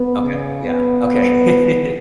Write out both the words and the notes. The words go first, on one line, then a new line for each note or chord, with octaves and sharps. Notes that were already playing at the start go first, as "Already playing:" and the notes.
Okay, yeah, okay.
Already playing: B3
C#3
B3